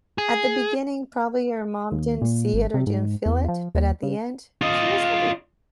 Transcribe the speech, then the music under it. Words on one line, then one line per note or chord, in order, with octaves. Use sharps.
At the beginning, probably your mom didn't see it or didn't feel it, but, at the end, she was happy.
G#4
D#2
A#2
G#1
C3
G#2
E2
F3
D#2
C#3
F4 D#5